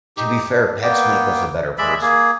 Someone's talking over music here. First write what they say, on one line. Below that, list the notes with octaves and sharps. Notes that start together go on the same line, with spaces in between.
To be fair, pets make us a better person.
D#4 G4
D4
A#3 B3 G5
G#3 D5 E5 B5
A#3 G#4